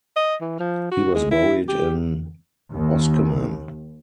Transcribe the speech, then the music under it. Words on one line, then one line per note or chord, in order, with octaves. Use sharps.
He was buried in Oskemen.
D#5
E3
F3
F#4
G#3
E4
G4
D#2